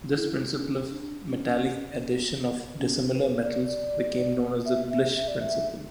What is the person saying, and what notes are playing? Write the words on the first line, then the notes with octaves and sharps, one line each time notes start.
This principle of metallic adhesion of dissimilar metals became known as the Blish Principle.
E4
C#4
D4
C#4
B3
C#4
B4
D5
D5
E5
E5
E5
D5
E5